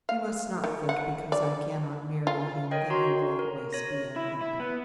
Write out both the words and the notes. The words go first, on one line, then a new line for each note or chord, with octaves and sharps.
You must not think because I cannot marry him that he will always be unhappy.
F5
D#3
F#5
D5
F4
A#4 C#5 D#5 G5
F#4 A#5 C6
A#4
C#5 A#6
E4
E4
B3